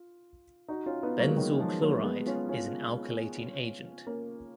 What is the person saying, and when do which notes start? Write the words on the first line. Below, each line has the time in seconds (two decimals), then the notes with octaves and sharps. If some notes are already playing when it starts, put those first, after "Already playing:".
Benzyl chloride is an alkylating agent.
Already playing: F4
0.68 D#4 F#4
0.86 C#4 F4
1.03 B3 D#4
1.20 F#3 A#3
1.29 G#3
1.37 D#3 F#3
1.59 F3 G#3
1.82 F#3 A#3
2.03 G#3 B3
2.26 C#4 F4
2.49 C#4 F4
4.06 A#3 C#4